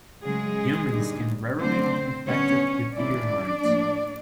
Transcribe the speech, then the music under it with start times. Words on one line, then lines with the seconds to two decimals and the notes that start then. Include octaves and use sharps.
Humans can rarely be infected with ear mites.
0.23 C#3 F#3 G#3 A3 G#4
0.91 G2 D3 G3 A#3 D#4
1.59 D3 F#3 A3 C4 D4 C5
2.27 D3 G3 B3 C#4 C#5
2.94 D#3 G#3 C#4 D4 E4 D5
3.62 A2 F3 A#3